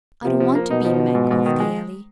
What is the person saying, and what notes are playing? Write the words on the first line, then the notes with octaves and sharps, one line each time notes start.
I don't want to be Mag of the Alley.
C3 F3
F3
A#3
B2 D#4
F3
F3
G#2
G#2
D#3
G#3